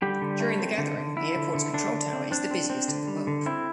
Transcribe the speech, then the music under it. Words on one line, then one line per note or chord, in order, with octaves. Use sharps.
During the gathering, the airport's control tower is the busiest in the world.
D3 G3 G4
D3
A3
C4
D3
D3
D3 E4
D3
D3
D3 D4
D3
C4
C4 D4
C4
C4
D3
G3
D3
C4 E4